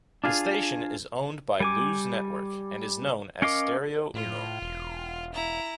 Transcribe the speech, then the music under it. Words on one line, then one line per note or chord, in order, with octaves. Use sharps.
The station is owned by Luz Network and is known as Stereo Uno.
D4 F4 G#4 F5
G3 G#5 D6
C#4 A#4 D#5 F5 D6
A2 F4
E1
E4 A#5